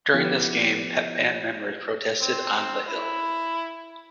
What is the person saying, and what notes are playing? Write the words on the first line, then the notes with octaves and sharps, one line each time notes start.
During this game, Pep Band members protested on "The Hill".
F3 B3 E4 G4
C4
E4